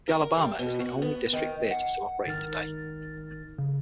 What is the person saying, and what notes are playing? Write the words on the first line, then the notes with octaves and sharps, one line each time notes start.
The Alabama is the only district theater still operating today.
A#4
G3
B2
F#4
B3
D#3
F#5
G#1 D#3 F6 A6
C#3